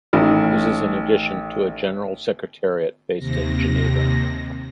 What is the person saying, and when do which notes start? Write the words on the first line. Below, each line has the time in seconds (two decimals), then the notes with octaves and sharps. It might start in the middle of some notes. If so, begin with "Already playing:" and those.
This is in addition to a General Secretariat based in Geneva.
0.13 A1 D#3
3.18 D#2 C3 A#6